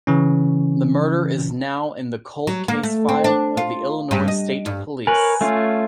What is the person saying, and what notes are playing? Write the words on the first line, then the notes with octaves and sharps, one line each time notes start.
The murder is now in the cold case file of the Illinois State Police.
C#3 E3 C#4
F#3
A#3
A3
C4
D4
F4
G2
D#5
G2
A#4 B4 C#5 G#5
A3 C#4 F4